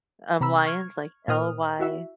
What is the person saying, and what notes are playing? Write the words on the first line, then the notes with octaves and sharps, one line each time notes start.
um, Lyons, like L-Y
C3 A#5 B5 E6
C#6 F6 G#6
A#2 A#4 C5 D#6 F6
E4 F#4 E5